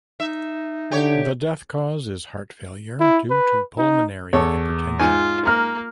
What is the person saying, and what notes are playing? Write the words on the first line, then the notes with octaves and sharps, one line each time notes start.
The death cause is heart failure due to pulmonary hypertension.
D#4 E5
D3 G4 C#5
E4
B4
D#4
E2 A4 C#5
G#2 F4 G#5
A#3 A#5 F6